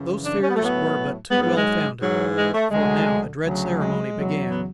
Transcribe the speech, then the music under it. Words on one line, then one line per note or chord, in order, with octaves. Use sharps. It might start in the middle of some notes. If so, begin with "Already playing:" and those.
Those fears were but too well founded, for now the dread ceremony began.
Already playing: F#2 C#3 E3
D4
C#4
B3
A3
A2 F#3 B3
G#2 F#3 B3
B3
G#3
G#2 E3 F#3
G#3
A3
D2 D3 F#3 G#3
D2 C#3 F#3
G#3
E2 C#3 F#3
B3